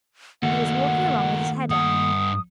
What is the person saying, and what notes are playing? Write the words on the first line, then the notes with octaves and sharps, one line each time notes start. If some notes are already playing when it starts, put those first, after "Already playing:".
He was walking along with his head up.
D#2 A3 A#3 F#4 F#5
G2 F#5 D#6